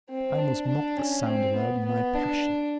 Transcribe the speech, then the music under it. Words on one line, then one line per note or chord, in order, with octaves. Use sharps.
I almost mocked the sound aloud in my passion.
C4
D4
D4
C#4
C4
B3
B3
D4